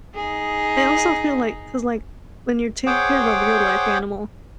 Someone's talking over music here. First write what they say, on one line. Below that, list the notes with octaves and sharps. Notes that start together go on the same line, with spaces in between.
I also feel like 'cause, like, when you're taking care of a real life animal,
D#4 G#4
G#4 C5 C#5 F#5 G5 D6